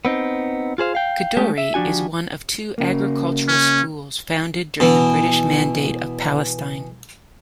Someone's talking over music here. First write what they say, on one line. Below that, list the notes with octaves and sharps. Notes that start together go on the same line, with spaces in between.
Kadoorie is one of two agricultural schools founded during the British Mandate of Palestine.
B3 C4 D#4
F4 G#4 C5 F5
F5 G5
G#3 A3 C#4 G4
E5
F3 G3 D4 F#4 G#5
C#3 A#3
C#4
B2 E3